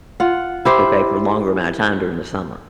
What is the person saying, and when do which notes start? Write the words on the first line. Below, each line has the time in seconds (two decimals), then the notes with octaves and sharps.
okay, for a longer amount of time during the summer,
0.20 F4 F#5
0.65 E4 G4 C5